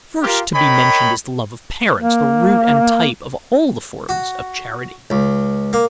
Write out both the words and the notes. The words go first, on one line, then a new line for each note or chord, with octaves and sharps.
First to be mentioned is the love of parents, the root and type of all the forms of charity.
F4 G4 A#4
A#4 C#5 D#5 G5 B5
A#3
F#4
C#2
A#3